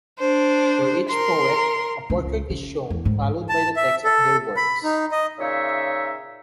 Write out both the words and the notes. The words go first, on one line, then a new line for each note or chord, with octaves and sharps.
For each poet, a portrait is shown, followed by the text of their works.
D4 C5
A#4 C6
C#2
C#3
E2
G#2
A5
E5
A4
B5
D#4
D#5
A#2 C#3 D#4 C#5 E5